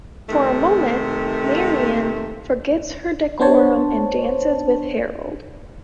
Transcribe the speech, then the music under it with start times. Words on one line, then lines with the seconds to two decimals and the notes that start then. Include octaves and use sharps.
For a moment, Marian forgets her decorum and dances with Harold.
0.29 C3 D#3 A3
3.40 B3 D4 C5 C#5 A5